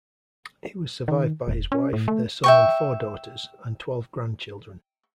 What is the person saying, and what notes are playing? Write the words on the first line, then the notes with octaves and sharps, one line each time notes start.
He was survived by his wife, their son and four daughters, and twelve grandchildren.
D#3
E1
C#4
A2
A3
E5 G5 C#6